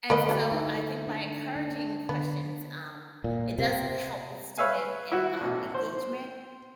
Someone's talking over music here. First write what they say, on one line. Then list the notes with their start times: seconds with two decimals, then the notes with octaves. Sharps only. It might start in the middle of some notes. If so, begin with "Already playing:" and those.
and, so, I think by encouraging questions, um, it does help with student em um, engagement.
0.10 D3 A3 A#4 B4 D#5
0.29 F#3 G3
0.52 D#4 E4 E5
1.07 D4
1.56 D4
2.09 D3 B3
3.24 A#2
3.59 C3
4.58 B4 C#5 E5 F5 G#5
5.12 E4 F#4 E5
5.41 A1 B2
5.75 C5